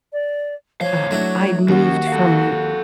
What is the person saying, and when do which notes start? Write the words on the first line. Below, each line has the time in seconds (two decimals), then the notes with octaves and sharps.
Um, I moved from
0.12 D5
0.81 A2 F3 C#5 F5
1.11 F#3 A3 D4 E4
1.69 D#2 F#3 C#4 F#4
2.08 A4 F5